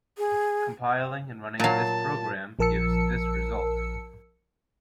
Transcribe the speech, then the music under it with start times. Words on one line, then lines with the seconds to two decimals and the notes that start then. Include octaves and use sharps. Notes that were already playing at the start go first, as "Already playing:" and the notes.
Compiling and running this program gives this result.
0.18 G#4
1.60 A#2 F#3 F5 A5 A#5
2.59 A#1 F3 A#4 A5 E6 C#7